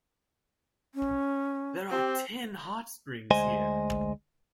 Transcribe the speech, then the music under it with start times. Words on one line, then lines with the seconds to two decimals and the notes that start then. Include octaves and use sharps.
There are ten hot springs here.
0.95 C#4
1.90 C4 G4
3.31 D2 G#3 C5 D#5 G#5